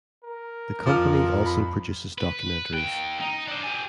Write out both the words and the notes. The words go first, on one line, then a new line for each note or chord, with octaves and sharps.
The company also produces documentaries.
A#4
F2 F3 D6 F6
B5
B4
D#2 G5
D#4
D4 C5
G4 G#5